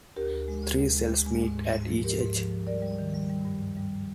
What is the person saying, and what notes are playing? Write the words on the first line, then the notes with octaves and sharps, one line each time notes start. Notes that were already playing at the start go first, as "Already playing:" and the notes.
Three cells meet at each edge.
D2 G4 A#4
D2
G#3
D2
D2
G#3
D2
G#3
G#2
G#2
G#2
F3
G#2 G4 A#4
G#2
F3
F3
G3 A#4 D5
G3
D#3
G3
G3
G2
G2
G3